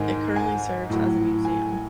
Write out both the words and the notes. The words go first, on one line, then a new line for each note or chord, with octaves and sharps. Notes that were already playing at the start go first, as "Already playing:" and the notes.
It currently serves as a museum.
Already playing: G#2 D#3 G#3 G#5
G#5
A2 F#3
G#5